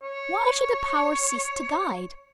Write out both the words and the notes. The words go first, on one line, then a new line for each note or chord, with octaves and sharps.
Why should the Power cease to guide?
C#5